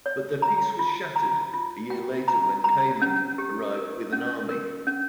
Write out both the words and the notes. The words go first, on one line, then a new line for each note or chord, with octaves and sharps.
But their peace was shattered a year later when Khayman arrived with an army.
C#5
A#5
F4
A#5
F4
G5
A#5
A#5
C#4
G4
A#4
C#4
A#4
C#4